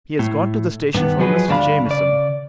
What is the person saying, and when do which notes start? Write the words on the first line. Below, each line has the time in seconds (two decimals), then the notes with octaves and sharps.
He has gone to the station for Mr. Jamieson.
0.19 A2
0.95 G2 D#3 B3
1.19 F3 F#3 G#3 G#4 B4
1.48 D2 G2 D4 C#5 F5 B5
1.86 C#3 D5